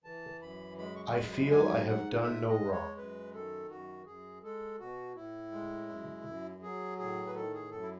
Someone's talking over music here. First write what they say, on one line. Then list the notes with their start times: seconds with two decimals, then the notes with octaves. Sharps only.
I feel I have done no wrong.
0.04 E3 A5
0.41 F#2 B5
0.78 G#3 B5
0.96 C#6
1.06 C#6
1.14 F#2 B5
1.32 B5
1.51 G#2 G#5
1.87 G#2 F#5
2.13 F#5
2.23 G#3 E5
2.49 D#5
2.61 G#3
2.72 C#5
2.97 F#2 B4
3.34 D#3 A4
3.70 F#2 F#4
4.06 F#2 G#4
4.43 G#3 A4
4.80 B2 F#4
5.16 A2 E4
5.52 G#3
5.89 F#2
6.26 F#2
6.62 F#3 G#4
6.98 A2 G#4
7.27 B4
7.35 D#3 A4
7.54 G#4
7.71 F#2 A4
7.83 E4